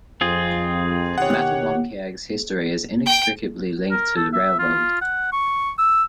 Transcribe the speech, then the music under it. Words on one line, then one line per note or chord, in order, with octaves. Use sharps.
Mattawamkeag's history is inextricably linked to the railroad.
F2 C4 F4 G#4
B2 D#3 G4 C#5 F#5
G5
A#4
A4
E5
F4
F#5
C#6
E6